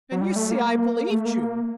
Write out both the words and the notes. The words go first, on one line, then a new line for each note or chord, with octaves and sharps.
And you see I believed you.
F#3
G3
A3
A#3
A3
A#3